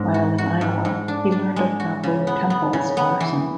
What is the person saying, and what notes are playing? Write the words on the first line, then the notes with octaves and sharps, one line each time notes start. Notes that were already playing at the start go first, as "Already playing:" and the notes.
While in Iowa, he learned of Nauvoo Temple's arson.
Already playing: G#2
F#4
F#4
G#2
G#2
D4
D4
G#3
F#4
C#3
B3
B3
C#3
B3
E3